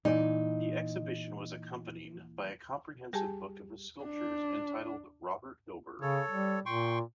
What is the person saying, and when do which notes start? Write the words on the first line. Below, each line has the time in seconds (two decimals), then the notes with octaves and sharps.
The exhibition was accompanied by a comprehensive book of his sculptures entitled Robert Gober.
0.05 A#2 E3 D#4 D5
3.13 G3 G4 G#4 G#5 A5
4.04 D4
6.02 C#3 A4 C#5
6.31 G3
6.66 A#2 G5 C6 C#6